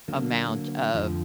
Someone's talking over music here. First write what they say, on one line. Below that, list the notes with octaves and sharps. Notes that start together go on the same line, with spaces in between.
amount of
D3 F#3 A#3
F2 D3 F3